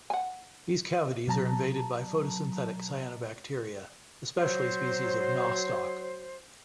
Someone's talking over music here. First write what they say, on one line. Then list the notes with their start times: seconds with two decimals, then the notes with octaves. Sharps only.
These cavities are invaded by photosynthetic cyanobacteria, especially species of "Nostoc".
0.10 F#5 G#5
1.27 B2 F#3 A5 A#5
4.38 F#3 C5